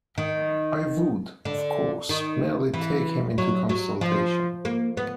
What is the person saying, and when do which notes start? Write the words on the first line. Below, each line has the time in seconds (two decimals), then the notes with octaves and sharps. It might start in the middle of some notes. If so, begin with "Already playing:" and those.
I would, of course, merely take him into consultation.
0.18 D#3
1.45 D3
2.09 D#3
2.74 E3
3.38 F#3
3.69 F#3
4.01 F3
4.65 A#3
4.97 B3